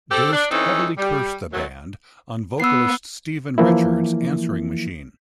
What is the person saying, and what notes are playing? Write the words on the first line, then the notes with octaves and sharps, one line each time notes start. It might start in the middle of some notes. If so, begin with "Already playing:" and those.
Durst heavily cursed the band on vocalist Stephen Richards' answering machine.
C4 G4 A4
D4
E3 C4 C#4 D#4 A4
G3
F#2 D#3 F#3 A3
B3 E6 C7
E3 F3 A#3 E4